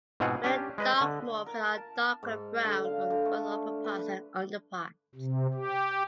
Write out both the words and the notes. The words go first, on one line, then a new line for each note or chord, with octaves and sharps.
Rare dark morphs are a darker brown on both upperparts and underparts.
G#2 B2 C4 F4 G#4 F#5
C#4 D4 G4
G#3 B4 D#5
D3
A#4
A5
G#2
D3
F5
D3
A3
B4
C3
G4